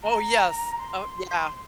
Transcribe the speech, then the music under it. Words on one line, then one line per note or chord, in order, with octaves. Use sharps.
Oh, yes. Oh yeah.
A#5
C6
C6
C6